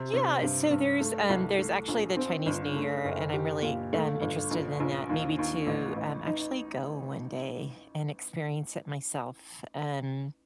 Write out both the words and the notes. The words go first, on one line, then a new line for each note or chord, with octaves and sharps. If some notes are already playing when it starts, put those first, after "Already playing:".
Yeah. So there's, um, there's actually the Chinese New Year, and I'm really, um, interested in that, maybe to, um, actually go one day and experience it myself. Um,
Already playing: C3
C3
G2
G2
A3
C2
A3
A#1
C4
G1
A3
F#1
G4
A#2
A3
G1
A#1
A#1
D#2
D#2
A1
A1
D#4